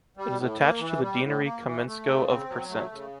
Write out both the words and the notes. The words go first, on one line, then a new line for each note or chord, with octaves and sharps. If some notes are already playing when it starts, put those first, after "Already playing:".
It is attached to the deanery Kamenskoe of %.
G3
A2
A#3
E3
G3
A2
A#3
E3
A3
C#3
C4
F#3
A3
C#3